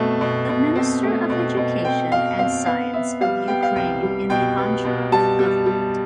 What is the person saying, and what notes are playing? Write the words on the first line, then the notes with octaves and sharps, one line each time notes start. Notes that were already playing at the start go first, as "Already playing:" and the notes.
The Minister of Education and Science of Ukraine in the Honcharuk Government.
Already playing: B2 A3 C4 A5
B2
B2
C4
A3
B2
B2
C4 G5
B2 F5
C4 F5
B3 F5
B3 E5
G3 F5
B3 G5
F5
C2 G5
G3
B2 G5
B3
B2
G3 A5
G3
G3